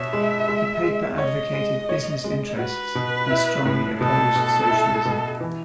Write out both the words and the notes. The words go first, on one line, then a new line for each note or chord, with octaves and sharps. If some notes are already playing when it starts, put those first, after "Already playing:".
The paper advocated business interests and strongly opposed socialism.
Already playing: B2 C#5 E5
G#3
G#3
G#3
C#5 D#5
G#3
C#5
G#3
F#4 B4
B2
E4
A2
B2 A4
B2
E4
B2
E3